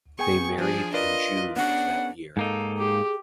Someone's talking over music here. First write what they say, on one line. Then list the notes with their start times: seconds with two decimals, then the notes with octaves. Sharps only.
They married in June of that year.
0.19 B3 G#4 G5 G#5 C#6
0.58 F3 D4 G#4
0.94 F4 A#4 B4 D5 D#5
1.56 B3 C#4 D4 G#4 F#5
2.37 G#2 A#3 D#4 A4
2.77 G4 G#4